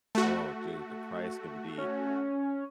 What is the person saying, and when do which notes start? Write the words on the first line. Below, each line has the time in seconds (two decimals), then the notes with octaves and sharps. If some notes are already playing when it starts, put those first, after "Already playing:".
Oh, dude, the price can be
0.15 A3 F#4
1.78 C#4